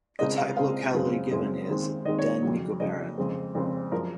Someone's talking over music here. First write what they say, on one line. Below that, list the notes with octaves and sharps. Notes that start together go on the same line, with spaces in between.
The type locality given is "den Nikobaren".
C#2 C#3 G#3 C4 D#5
F5
C#2 C#3 G#3 C4 F5
F#2 C#3 G#3 C4
F#2 C#3 G#3 C4
D#2 D#3 G#3 C4
D#2 D#3 G#3 C4 D#5
C#5
F2 C#3 F#3
F2 C#3 F#3 D#5
F2 C#3 G#3 C4
F2 C#3 G#3 C4
F#2 F3 G#3 A#4